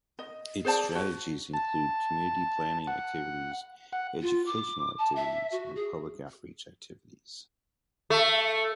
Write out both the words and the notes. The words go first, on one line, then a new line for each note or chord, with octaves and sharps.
Its strategies include community-planning activities, educational activities, and public out-reach activities.
D#5
G#4 C5 D5 A5
F#4
A5
F#5
F#5
F4
D6
A5
E5
F#4
G#4
A3